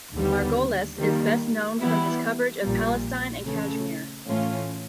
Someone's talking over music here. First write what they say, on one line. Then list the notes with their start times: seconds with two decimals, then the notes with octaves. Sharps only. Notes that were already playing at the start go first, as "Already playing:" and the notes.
Margolis is best known from his coverage of Palestine and Kashmir.
0.15 D#2 D3 G3 B3
0.97 D#3 G3 A#3
1.79 E3 G3 B3 E4
2.61 A#1 A#2 G3
3.43 C#3 E3 A3
4.26 A2 E3 A3 C#4 F4